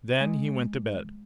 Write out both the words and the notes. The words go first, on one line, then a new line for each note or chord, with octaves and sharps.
Then he went to bed.
G#3